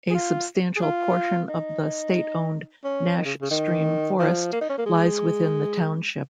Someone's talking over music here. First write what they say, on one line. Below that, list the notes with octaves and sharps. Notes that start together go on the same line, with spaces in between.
A substantial portion of the state-owned Nash Stream Forest lies within the township.
G#4
F4
G#4
F4
D#4
C#4
D#3
C#3
C#3
D#3
F3
A#3
D#4
C#4
A#3
G#3